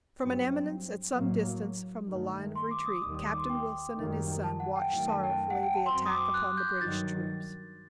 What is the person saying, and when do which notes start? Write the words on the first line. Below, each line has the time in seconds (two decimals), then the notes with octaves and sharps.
From an eminence at some distance from the line of retreat Captain Wilson and his son watched sorrowfully the attack upon the British troops.
0.19 G2 F#3 C4
1.13 A2 F#3 A#3
2.08 G2 D#3 A3
2.55 C6
2.71 D6
2.86 D#6
3.02 D#2 D#3 G3 D#6
3.15 D#6
3.26 D6
3.38 C6
3.50 G5
3.97 F#2 D#3 G3 A#3
4.44 A5
4.60 F#5
4.76 G5
4.91 F#2 D#3 A3 G5
5.08 A5
5.23 G5
5.50 F#5
5.63 G5
5.74 A5
5.86 F#2 F#3 C4 C6
6.06 D#6
6.10 D6
6.34 F#6
6.57 G6
6.81 G2 D#3 F#3 A6